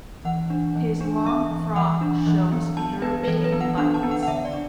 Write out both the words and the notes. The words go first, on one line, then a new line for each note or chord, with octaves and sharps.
His long frock shows European buttons.
E3 F#5
D4
E3
D4
E3 E5
E3
E3 F#5
D4
E3
B3
B3 A5
B3 B4
B4
E3 A4
B4
B3
F#5
D4 F#5
A5
B3
F#5
F#5
D3 E5
D5
D4